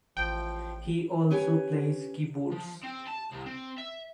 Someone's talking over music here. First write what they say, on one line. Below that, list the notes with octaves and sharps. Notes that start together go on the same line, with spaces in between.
He also plays keyboards.
A1 F3 G5
C#4 G4 B4 C#5 G5 G#5
F3
C4
A5
C2
C4
E5